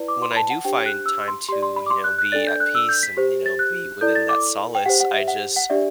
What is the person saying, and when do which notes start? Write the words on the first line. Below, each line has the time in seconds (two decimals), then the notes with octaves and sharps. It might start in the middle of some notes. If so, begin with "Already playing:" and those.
when I do find time to, you know, be at peace and, you know, be within that solace, I just
Already playing: E4 B4 D5
0.08 D6
0.22 C6
0.31 B5
0.36 A5
0.50 F#5
0.65 D4 G4 C5 G5
0.86 F#6
1.06 E6
1.28 C6
1.48 G4 D5 C6
1.62 C6
1.76 B5
1.86 D6
1.90 C6
2.04 F#6
2.18 F#6
2.32 D4 A4 D5 A6
2.47 G6
2.60 F#6
2.75 E6
2.89 G6
3.03 B6
3.17 G4 C5
3.46 A6
3.59 F#6
4.01 E4 A4 D5 G6
4.15 A6
4.29 D6
4.75 G5
4.86 G4 C5 F#5
5.00 F#5
5.14 E5
5.28 F#5
5.56 F#5
5.70 D4 G4 D5 E5